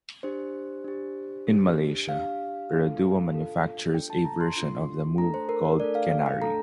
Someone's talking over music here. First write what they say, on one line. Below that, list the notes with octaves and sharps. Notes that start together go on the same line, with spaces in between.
In Malaysia, Perodua manufactures a version of the Move called the Kenari.
D4 G4 C5
D4 G4
D4 G4
D4 G4 F5
D4 F4 A4
D4 F4 A4
D4 F4 A4 G5
A5
A#5
C6
D4 F4 A4
A3 D4 A4 A#5
C5
A#4
A#4
A3 D4 A4 D5
F5
F5
G5
A3 D4 A4 A#5